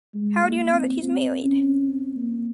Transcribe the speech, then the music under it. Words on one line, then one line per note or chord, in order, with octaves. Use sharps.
How do you know that he’s married?
G#3
A#3
C4
C4
C#4
C4
A#3